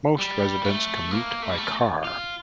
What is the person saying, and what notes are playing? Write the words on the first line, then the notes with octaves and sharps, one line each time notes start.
Most residents commute by car.
G3
A3
A#3
A3
G3
A3
F4